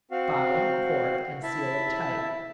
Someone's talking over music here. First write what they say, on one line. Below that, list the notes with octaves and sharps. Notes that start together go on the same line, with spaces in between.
Bottle, cork, and seal it tight.
C4 F#4 F5
E4 E5 A5